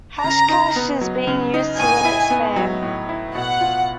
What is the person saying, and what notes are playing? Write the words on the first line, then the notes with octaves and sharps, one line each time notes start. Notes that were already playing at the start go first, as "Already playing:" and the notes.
Hashcash is being used to limit spam.
C#3 A#5
D#4
B3
F#3
C#3
D#4
A2 G#5
E4
B3
F#3
A2
E4
B2 F#5
F4